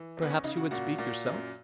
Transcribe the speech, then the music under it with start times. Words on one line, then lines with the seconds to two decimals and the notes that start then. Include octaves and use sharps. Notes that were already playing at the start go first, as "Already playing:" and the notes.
'Perhaps you would speak yourself?'
Already playing: E3
0.17 E2
0.22 B3
0.30 C#4
0.44 C#3 D#4
0.57 F#4
0.71 A#2 F#4
0.98 A#2
1.26 F#2